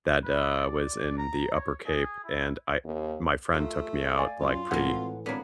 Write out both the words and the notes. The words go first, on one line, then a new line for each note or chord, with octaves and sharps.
that, uh, was in the Upper Cape, and I my friend took me out, like, pretty,
B4
D5
A#5
C#5
G#4
E4
D#2
A3 D#4 F4
D5 F5 G#5
F#2 F4
G#1 A2 E3 A#4 F#5
G#1 A#3 B3 D4 A#4 C#5 B5